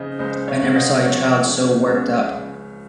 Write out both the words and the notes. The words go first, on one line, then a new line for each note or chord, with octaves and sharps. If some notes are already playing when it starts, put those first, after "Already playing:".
I never saw a child so worked up.
Already playing: C#3 F3 C5 D#5
C#2 C5 D#5
C#5 F5
C#2 F#5
F5
C5 D#5
F3 C#5
C#3
C#2
C#2